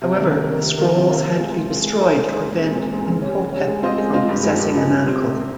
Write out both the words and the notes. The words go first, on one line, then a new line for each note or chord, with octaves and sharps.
However, the scrolls had to be destroyed to prevent Imhotep from possessing the manacle.
C3
D#3 A#3
C3
D#3 A#3
C3
D#3 A#3 F4
C3
D#3 A#3 F4
F3
G#3 C4 F4
F3
G#3 C4 F4
G#3
D#4 G#4 C5
G#3
D#4 G#4 C5
A#2
G#3 C4
A#2
G#3 C4
C#3
G3 C#4
C#3
G3 C#4
G#3
C4 F4 C5 D#5
G#3
C4 F4 C5 D#5
G2
F3 G#3 D#4
G2
F3 G#3 D#4
C3
G3 C4
C3
G3 C4